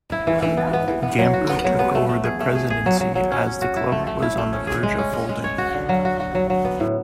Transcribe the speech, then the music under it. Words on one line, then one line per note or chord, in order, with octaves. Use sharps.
Gamper took over the presidency as the club was on the verge of folding.
E4
E3
E3
B3
B3
E3
B3
F#3
F#4
B3
F#3
B3
A3
A3
G#4
A3
G#4
G#4
F#3
F#3
F#3
C#4
C#4
F#4
E4
A3
A3
E4
A3
C#4
G#4
G#3
C#4
G#3
G#3
C#5
F#4
D3
F#3
F#4
F#4
F#3
F#3
B3
A2